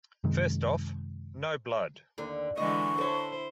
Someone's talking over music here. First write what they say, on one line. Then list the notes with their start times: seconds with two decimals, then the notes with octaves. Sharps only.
First off, no blood.
0.24 F#2 C3 D#3 G#3
2.18 D#2 D3
2.57 D3 E3 G#3 D#5 C#6
2.98 E4 A4 C5 C#5